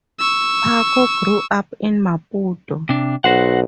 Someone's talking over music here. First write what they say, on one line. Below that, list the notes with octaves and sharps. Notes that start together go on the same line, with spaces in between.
Paco grew up in Maputo.
C#6 E6
C3 D4
B1 F#4 C5 F#5